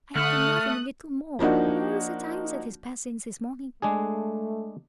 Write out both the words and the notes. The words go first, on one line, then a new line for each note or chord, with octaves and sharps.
"I have been loving a little more all the time that has passed since this morning."
D3 A3 D#6 F6 F#6
F3 A#3 D4 D#4 F#4
G#3 A3 D4 G#4